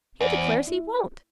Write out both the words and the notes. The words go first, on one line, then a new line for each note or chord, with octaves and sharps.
He declares he won't.
E2 D5
C5
D5
E4